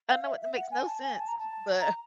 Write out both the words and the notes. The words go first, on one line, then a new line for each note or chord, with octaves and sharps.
I know it makes no sense, but
F5
E5
E5
F#5
G#5
A5
G#5
A5
A#5
A5
A#5